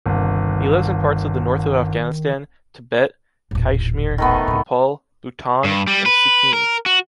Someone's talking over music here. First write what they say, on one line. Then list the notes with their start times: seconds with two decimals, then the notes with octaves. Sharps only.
He lives in parts of the north of Afghanistan, Tibet, Caixmir, Nepal, Bhutan and Sikkim.
0.06 G1 C2 D#3
3.51 D#1 A1
4.18 D#3 A3 B3
4.48 C#2 A2
5.64 G2
5.87 G3
6.06 B4
6.53 A#4
6.86 F#4